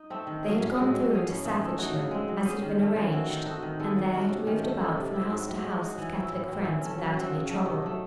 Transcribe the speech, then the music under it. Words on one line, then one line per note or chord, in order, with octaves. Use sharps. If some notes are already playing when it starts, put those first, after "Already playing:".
They had gone through into Staffordshire, as had been arranged, and there had moved about from house to house of Catholic friends without any trouble.
Already playing: D#4
A3 C4
D#3
F#3 C#4 G#4
A2
G#3 C4 F#4
F#3
C#4 G#4
A2
E3 A3 D#4
A3
D#4 F#4 C#5
C#3
G#3 C4
F#3
C#4 G#4 C5
D#3
A3 C#4
E3
C4 F#4
D#3
A3 D#4 F#4
D#3
G#3 D#4 A4
F#3
A3 C#4 F#4
C3
D#3 G#3 C#4
A3
D#4 A4
C3
F#3 C4 E4
G#2
F#3 C4 F#4
G#3
D#4 F#4 C#5
E3
C4 E4
A2
F#3 C4
E3
A3 C#4
F#3
C4 F#4 C#5
C#3
F#3 A3 D#4
C3
F#3 A3